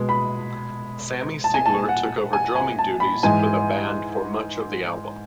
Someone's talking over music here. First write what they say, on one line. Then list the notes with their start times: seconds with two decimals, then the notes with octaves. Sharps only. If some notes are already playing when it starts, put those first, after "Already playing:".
Sammy Siegler took over drumming duties for the band for much of the album.
Already playing: B2 G#3 B3
0.09 B5
1.44 A5
1.54 G#5
1.66 A5
1.89 F#5
2.33 G#5
2.55 G#5
2.79 A5
3.00 B5
3.23 G#2 E3 G#3 G#5